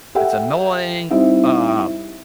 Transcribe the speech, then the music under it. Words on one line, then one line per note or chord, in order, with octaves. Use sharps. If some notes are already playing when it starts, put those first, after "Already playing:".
it's annoying, uh,
G4 A4 E5 F#5 G5
G3 C4 D#4 E4 E5